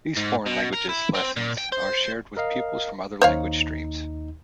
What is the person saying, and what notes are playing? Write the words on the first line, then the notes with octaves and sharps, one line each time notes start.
These foreign languages lessons are shared with pupils from other language streams.
G#2
B2
A#4
E4
C4
A#2
G5
C5
A#4 D#5 F5
D#2 D#4 C5 C#5 F5